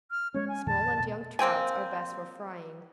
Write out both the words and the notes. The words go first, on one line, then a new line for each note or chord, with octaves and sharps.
Small and young trouts are best for frying.
F6
G#3 C#4 C#5
G#5
F2 A#2 D#3 A5
E1 B2
A#3 C4 G5 G#5